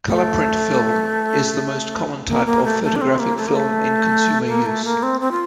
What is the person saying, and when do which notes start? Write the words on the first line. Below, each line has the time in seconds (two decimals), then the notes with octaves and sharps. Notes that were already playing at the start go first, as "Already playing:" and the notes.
Color print film is the most common type of photographic film in consumer use.
0.09 A3
2.28 A#3
2.46 A#3
2.64 A3
2.83 A3
2.96 D4
3.01 C4
3.19 A#3
3.38 A3
3.47 A#3
3.56 A3
4.48 A#3
4.66 A3
4.85 A#3
5.03 C4
5.21 C4
5.31 F4